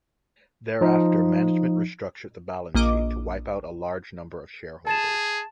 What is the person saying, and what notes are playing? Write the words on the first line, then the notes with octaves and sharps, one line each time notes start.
Thereafter management restructured the balance sheet to wipe out a large number of shareholders.
F3 D#4
A#1 A#3 D#5 D6
G#4 A5 A6 E7